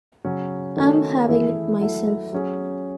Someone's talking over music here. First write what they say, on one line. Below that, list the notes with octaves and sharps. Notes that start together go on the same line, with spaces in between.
I'm having it myself.
C#3 F#3 C#4
D#3 A3 C#4 F#4 A4
E3 A3 E4 G#4
F#3 A3 E4 A4
F#3 C#4 G#4